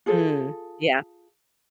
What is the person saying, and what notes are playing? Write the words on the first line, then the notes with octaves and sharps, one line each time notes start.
Mm, yeah.
F4 G#4 A4